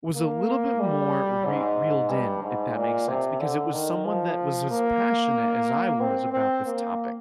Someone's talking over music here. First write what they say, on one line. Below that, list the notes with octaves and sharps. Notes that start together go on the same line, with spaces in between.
was a little bit more re reeled in, if that makes sense, because it was someone that was as passionate as I was about this topic.
A#3
G3
G#2
G2
G#2
A#2
C3
D3
D#3
F3
A#3
C4
C4
A#3